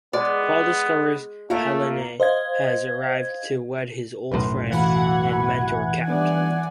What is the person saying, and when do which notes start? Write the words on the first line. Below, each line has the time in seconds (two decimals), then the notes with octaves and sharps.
Paul discovers Helene has arrived to wed his old friend and mentor Capt.
0.13 G#3 B3 D5
1.50 A3 A#3 F4 A#4 F5
2.20 C5 D#5 F5 G#6
4.32 B1 F#2 A2 B4 C6
4.71 E3 F#4 F5 F#5 B5 G#6
5.33 B5
6.08 G3 B3 D4 D5 G#5